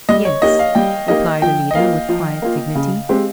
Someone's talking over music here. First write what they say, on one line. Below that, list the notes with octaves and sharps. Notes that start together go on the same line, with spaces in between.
"Yes," replied Alida with quiet dignity.
G3 D#5
C#5
A#3 D#4 G4 D#5
F5
G3 G5
A#3 D#4 G4 D#5
F3 G5
D#5
A#3 F4 F5
F3
A#3 F4
C#3
G#3 C4 G4 C5